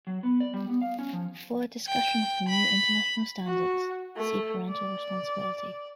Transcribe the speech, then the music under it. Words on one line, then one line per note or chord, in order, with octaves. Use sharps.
For a discussion of the new international standards, see parental responsibility.
F#3
B3
D5
G3
B3
F5
C#4
F3
G5
B5
F#4
A3
D5